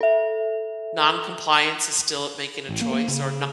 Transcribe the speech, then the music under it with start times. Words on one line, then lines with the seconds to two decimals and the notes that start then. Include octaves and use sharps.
"Non-compliance is still making a choice," or
0.01 A4 E5
2.69 A1
2.81 A#3
2.94 A#3
3.08 C#3